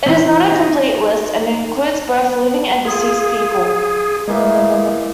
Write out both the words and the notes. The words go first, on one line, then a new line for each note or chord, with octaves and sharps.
It is not a complete list and it includes both living and deceased people.
E3 C4
D#4
F4 G#4
A2 E3 G#3 A#3